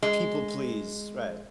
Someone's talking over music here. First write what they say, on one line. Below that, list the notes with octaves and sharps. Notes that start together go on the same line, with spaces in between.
People please, right.
G#3